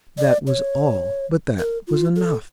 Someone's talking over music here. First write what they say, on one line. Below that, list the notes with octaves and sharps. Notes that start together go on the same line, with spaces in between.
That was all, but that was enough.
D5
C#5
A#4
F4
A4